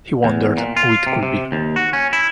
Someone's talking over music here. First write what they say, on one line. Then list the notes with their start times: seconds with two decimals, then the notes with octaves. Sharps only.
He wondered who it could be.
0.24 E2
0.58 A#2
0.77 F4
1.07 C3
1.23 C3
1.52 D#2
1.76 F#4
1.93 C#4
2.13 E4